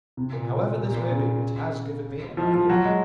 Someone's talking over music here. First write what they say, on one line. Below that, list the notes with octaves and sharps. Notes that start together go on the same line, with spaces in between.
However this may be, it has given me an idea.
C3
A#2
A#2
A#2
C#3
F3
F3
F#3
G#3